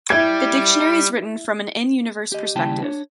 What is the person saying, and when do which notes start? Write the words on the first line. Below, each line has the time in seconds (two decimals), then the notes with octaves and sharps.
The dictionary is written from an in-universe perspective.
0.10 G3 E4 E5 G5 G#6
2.32 G4 D#5
2.55 D#2 C#3 G3 E4 G5 A5
2.82 D4 C#5